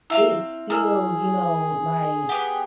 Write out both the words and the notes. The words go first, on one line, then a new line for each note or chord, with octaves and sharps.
it still, you know, like,
C4 E4 E5 F5 E6
E4 G#4 A#4 D5 E6 F6
B3 G4 F#5